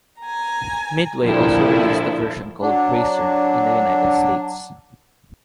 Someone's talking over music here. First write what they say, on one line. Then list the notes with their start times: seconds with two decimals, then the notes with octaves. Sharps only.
Midway also released a version called "Racer" in the United States.
0.21 G#5 A#5
1.23 A#2 D3 F3 G3 A#3 E4
2.61 F#3 D4